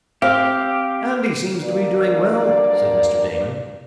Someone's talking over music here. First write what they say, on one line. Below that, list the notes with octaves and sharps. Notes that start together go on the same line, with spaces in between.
"Andy seems to be doing well," said Mr. Damon.
C4 G4 F5
D2 G2 A#3 D5